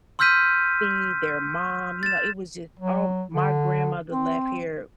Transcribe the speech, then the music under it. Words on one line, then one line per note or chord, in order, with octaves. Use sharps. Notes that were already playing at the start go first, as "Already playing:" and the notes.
see their mom, you know, it was just oh, my grandmother left here
C6 E6 F6 G6 B6 D#7
A6 E7
F#3
D3
C4